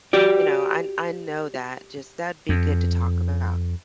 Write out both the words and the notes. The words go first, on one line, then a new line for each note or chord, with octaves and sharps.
you know, I I know that, just that'd be good to talk about.
F#4 G4 D5
F2